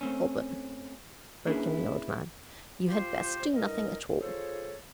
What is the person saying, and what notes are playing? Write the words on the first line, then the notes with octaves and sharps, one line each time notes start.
Alban," broke in the old man, "you had best do nothing at all.
A3 C4 C#4
A#3 C#4 D4 E4 G#4 B4
F4 G4 C5
C2 G2 A#4 D#5
F4 G#4 A4 C5 C#5